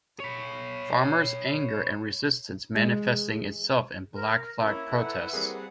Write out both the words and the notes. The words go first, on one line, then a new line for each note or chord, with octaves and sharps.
Farmers' anger and resistance manifesting itself in black flag protests.
C#5 B5
G#3
A#4
A#3 C#4 E4 A#5
A3 B4 F#5
G3 A#3 C4 G#4